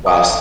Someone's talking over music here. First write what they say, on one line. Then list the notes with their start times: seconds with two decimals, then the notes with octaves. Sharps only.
Wow, s
0.06 D#6